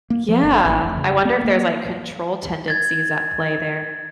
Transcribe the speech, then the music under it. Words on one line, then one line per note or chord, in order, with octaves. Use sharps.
Yeah. I wonder if there's, like, control tendencies at play there.
A#3
F3
G1
A1
F1
C#3
B3
A#3
G#6 A6